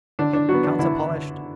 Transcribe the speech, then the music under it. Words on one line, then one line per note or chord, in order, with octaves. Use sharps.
Counter polished.
D3 D4
D4
F#3 B3 F#4
D4
D3 E4